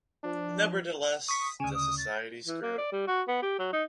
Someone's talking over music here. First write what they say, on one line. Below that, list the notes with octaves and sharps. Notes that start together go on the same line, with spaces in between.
Nevertheless the Societies grew.
F3 D4
C#6 D#6 B6
D2 C#3 G#5
D#6
A6
E3
A#3
D5
G3
F#4
B3
G4
F#3
D#4